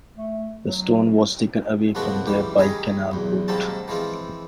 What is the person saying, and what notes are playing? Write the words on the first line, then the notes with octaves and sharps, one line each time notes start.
The stone was taken away from there by canal boat.
A3
F#3
C2 F3 G#3 D4 F#4 B4
C#2 E3 G3 G4
D#3 G3 G#4 G#5 A#5
B1 E2
G#2 D#3 G3 A#3 C4 A5
E3 F3 G#3 C4 F4